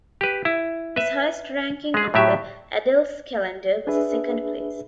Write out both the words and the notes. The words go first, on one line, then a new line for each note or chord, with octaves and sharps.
His highest ranking on the Adelskalender was a second place.
G4 B4
E4
B4 E5
G#3 G#4
A2 F#3 G4 E5
D4 G#4 B4 E5